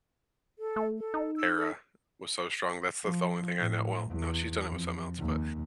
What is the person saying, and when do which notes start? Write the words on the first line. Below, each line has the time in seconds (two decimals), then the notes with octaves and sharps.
era was so strong, that's that's the only thing I know well, no, she's done it with something else, but
0.59 A4
0.76 A3
0.98 A4
1.14 D#4
1.36 E6
1.57 A4
3.04 F3
3.58 A2
4.11 E2
4.70 F2
5.18 D#2